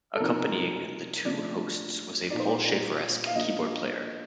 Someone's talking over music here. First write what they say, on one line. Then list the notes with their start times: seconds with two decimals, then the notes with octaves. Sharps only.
Accompanying the two hosts was a Paul Shaffer-esque keyboard player.
0.15 A4
0.19 C3 F3 C4 D#4 A#4
1.25 F3 A3 D4 D5
2.30 A#2 F3 C4 D#4 D5
2.40 C5
2.49 D5
3.26 F5
3.35 F3 A#3 D4 D#5